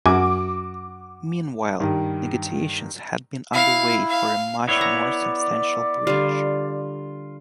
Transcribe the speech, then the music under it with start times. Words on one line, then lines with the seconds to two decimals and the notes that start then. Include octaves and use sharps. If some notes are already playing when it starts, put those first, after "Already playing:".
Meanwhile, negotiations had been underway for a much more substantial bridge.
0.06 F#2 F#4 G#5 D6
1.80 G2 D#3
3.54 E4 F5
4.10 F5
4.68 B3 E4 C#5 D5
4.81 A#5
6.07 D3 G3 F4